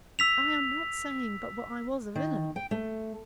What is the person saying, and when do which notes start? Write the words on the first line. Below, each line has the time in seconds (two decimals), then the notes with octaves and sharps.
I am not saying but what I was a villain.
0.19 E6 B6 F7
2.15 D#3
2.56 G5
2.71 A3